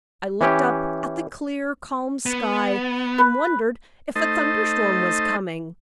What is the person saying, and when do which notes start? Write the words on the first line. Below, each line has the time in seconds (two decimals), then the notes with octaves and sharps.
I looked up at the clear, calm sky, and wondered if a thunderstorm was coming.
0.41 E3 C#4 G4
2.26 B3
3.18 B4
4.16 A3 D#4 C5 D#5 A5